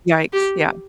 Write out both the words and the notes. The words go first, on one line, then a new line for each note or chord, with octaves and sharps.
Yikes, yeah.
G4